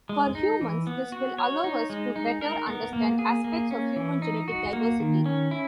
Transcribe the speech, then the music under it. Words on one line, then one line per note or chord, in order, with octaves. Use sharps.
For humans, this will allow us to better understand aspects of human genetic diversity.
G#3
D#4
E3
B3
F#4
C#5
D#4
G#3
D#4
A#4
B3
A#3
G#4
A#3
C#4
E3
D#4
F#4
A#3
D#3
C#4
E4